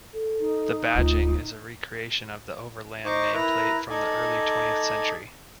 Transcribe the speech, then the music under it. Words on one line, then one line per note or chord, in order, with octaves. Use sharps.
The badging is a recreation of the Overland nameplate from the early twentieth century.
A4
D#4
D1 D2 F4
D#4 C5 C#6 D6
E4 A#4 B4 A#5
D#4 A4 D5 G#5